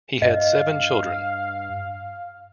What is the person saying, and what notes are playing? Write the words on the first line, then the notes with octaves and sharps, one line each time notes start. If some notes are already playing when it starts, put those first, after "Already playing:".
He had seven children.
G2 D#5 F5